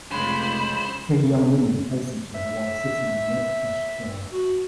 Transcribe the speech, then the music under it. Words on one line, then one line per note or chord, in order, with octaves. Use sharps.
Three young women face each other while sitting on red plush chairs.
F1 C#3 G#3 C5 B5
E5
F#4